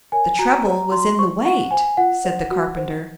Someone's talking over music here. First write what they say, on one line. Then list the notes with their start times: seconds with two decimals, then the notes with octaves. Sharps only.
"The trouble was in the weight," said the carpenter.
0.12 A#4 C#5 G#5
0.39 F#4 A#5
0.65 C5 A#5
0.91 F#4 C6
1.19 C5 C#6
1.45 F4 F#5
1.71 C5 G#5
1.97 F4 F#5
2.25 C5
2.51 F#4
2.77 C5